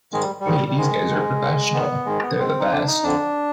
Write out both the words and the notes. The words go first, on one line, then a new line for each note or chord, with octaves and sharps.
Hey, These guys are professional. They are the best.
G#2 D#3 G#3
G3
G3
G#2 D#3
G3
G#2 D#3 G#3
G#2 D#3
G#2 D#3
G#2 D#3 B3
G#2 D#3 G#3
B3
G#2 D#3 C4
D#4
F2 D3 D4
D#4
F2 D3 D4